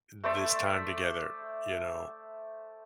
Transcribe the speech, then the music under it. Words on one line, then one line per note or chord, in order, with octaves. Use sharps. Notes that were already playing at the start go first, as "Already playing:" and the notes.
this time together," you know?
A3 C5 D5 E5